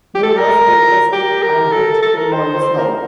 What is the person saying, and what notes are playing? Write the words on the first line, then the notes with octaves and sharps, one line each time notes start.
You must take a stick and hit him on the snout!
G4
A4
A#4
G4
A#4
A4
A4
A#4
C5
C5
A#4